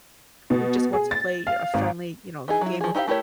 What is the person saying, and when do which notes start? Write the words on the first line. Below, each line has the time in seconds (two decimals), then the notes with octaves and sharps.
who just wants to play a friendly, you know, game of
0.50 B2
0.93 G#4
1.11 A6
1.47 F5
1.74 G#1
2.48 E3 D#4 G#4
2.61 F#3 E4
2.81 F3 G#4
2.95 D#4 E4 G4 C5 F5
3.08 A3 E4 G4 A#4 C#5